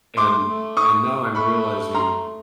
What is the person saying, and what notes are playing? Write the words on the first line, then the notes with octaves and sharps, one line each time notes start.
And and now I'm realizing,
A3 C6 D6
A3
C#6 D#6
A3 B5 C#6
A#5 C6